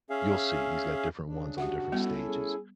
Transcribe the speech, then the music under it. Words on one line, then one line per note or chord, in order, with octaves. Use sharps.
You'll see, he's got different ones on different stages.
C#4 G#4 E5 F5
C#3 D4
F#4 G4 E5 F#5
G3 B3 C#4 E4 A4
G#4